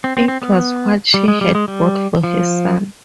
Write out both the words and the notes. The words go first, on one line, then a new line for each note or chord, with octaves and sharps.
It was what she had bought for her son.
C4
C4
C4
B3
G3
G#3
G3
G#3
G3
F3